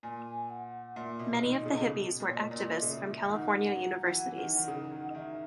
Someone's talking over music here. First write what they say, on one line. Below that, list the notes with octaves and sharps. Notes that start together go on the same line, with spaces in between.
Many of the hippies were activists from California universities.
A#2 G#5
F#5
A#2 E5
B2
D#3 D#5
C#3
B2
C#3
B2
A#2
C#5
D#5
A#2
C#3 E5
D#3 F#5
F#3 F#5
E3
F#5
D#3
D#3
C#3 F#5
D#3
D#5
D#3 E5